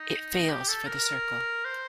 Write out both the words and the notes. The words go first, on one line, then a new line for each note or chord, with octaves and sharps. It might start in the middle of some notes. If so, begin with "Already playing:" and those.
It fails for the circle.
Already playing: D#4
G4
A4
A#4
C5